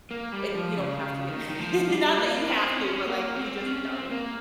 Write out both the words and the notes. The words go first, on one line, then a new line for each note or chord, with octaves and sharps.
it we don't have to get married, not that you have to, but like we just don't.
A#3
G3
F3
C#3
C#3
D#3
D#3
F3
G3
A#3
C4
C#4
A#3
C4
C#4
C4
A#3